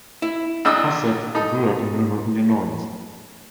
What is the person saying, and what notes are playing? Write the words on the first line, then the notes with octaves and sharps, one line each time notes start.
Hastert grew up in rural Illinois.
E4
A#1 D4 D#5 D#6 E6
D#4 A4